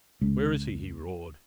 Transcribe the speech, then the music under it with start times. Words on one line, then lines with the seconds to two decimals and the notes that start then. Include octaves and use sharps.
"Where is he?" he roared.
0.21 C#2